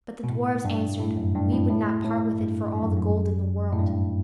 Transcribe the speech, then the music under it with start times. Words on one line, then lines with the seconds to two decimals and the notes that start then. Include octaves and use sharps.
But the dwarfs answered, "We would not part with it for all the gold in the world."
0.24 B2
0.30 A2
0.65 G2
1.00 A2
1.17 F#2
1.35 G2
1.52 A2
1.70 A2
2.05 A2
2.40 G2
2.75 G2
2.82 F#2
2.96 F#2
3.73 A2
3.80 G2